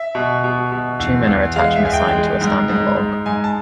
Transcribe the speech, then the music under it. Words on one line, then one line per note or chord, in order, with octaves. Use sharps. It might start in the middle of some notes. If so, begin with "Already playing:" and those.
Two men are attaching a sign to a standing log.
Already playing: E5
B2
B2
B2
E2
E2
G#3 F5
E5
E2 G#5
G5
G#3
G#2
G#2
G#2
G#2 G#5
A5